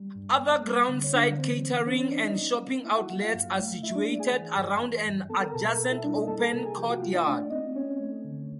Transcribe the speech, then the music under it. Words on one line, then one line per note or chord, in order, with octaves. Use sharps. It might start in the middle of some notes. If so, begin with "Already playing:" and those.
Other ground side catering and shopping outlets are situated around an adjacent open courtyard.
Already playing: G3
G2
B3
G3
D3
C#5
D3 D4 D5
E3 C4 C5
E3
C4 C#4 C5
C#4 C#5
C#4 D4 D5
D#4 D#5
A#3
A#3
A#3 E4 E5
F#4 F#5
F#3 F#4 F#5
F4 F5
G2
A3
A3 E4 E5
D4 D5
A3 D4 D5
G#4 G#5
E3
G2
E3
G2
B3 A4 A5
A#4 A#5
B2 A4 A5
A#4 A#5
B2 A4 A5
E4 E5
G3 D4 D5
D#4 D#5
A#3 A4 A5
A#4 A#5
C3 A4 A5
G#4 G#5
F3 G4 G5
F#4 F#5
A#3 F4 F5
D#4 D#5
A3 D4 D5
C4 D#4 D#5
C4 C#4 C#5
A3
D3